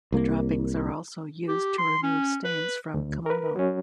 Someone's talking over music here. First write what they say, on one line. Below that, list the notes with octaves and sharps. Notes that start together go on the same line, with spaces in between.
The droppings are also used to remove stains from kimono.
C2 A#3
G4
C6
C#4
B4
D2
A#4 B4
F#3 C#4